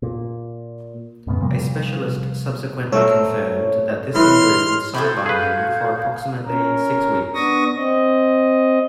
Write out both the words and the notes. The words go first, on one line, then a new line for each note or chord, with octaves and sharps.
A specialist subsequently confirmed that this injury would sideline him for approximately six weeks.
A#2
F#2 A2 C#3 B3
C3 F3 G3 A#3
A3 C4 A#4 C#5
E3 B4 D#5 C6 F6
F#4 A4 C5 B5 G6 G#6
G#4 B4 F5
C#4 A#4
B3 D4 C#6 D#6 A#6
C4 D#5